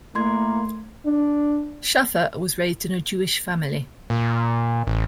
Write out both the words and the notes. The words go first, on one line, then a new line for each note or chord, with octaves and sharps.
Shaffer was raised in a Jewish family.
A3 A#3 E4 C6 G#6
D4
A#2
A1